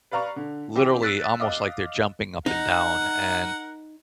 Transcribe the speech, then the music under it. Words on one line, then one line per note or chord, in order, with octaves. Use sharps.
literally, almost like they're jumping up and down, and,
B4 D5 F5 A#5 C#6
D3
E3 C4 G4
E6 F#6 A6 B6
D#5 F5 D6
D#4 A#4 F#5